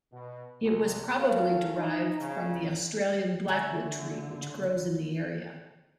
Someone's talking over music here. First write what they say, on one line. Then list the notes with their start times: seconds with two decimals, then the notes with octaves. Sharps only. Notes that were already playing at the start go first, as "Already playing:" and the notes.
It was probably derived from the Australian Blackwood tree which grows in the area.
0.12 B2
0.62 C2
1.19 C#4 F#4 A4 A#4 C#5 F5
1.77 D#4
2.20 C#3
3.48 D3 E5 G#5 C#6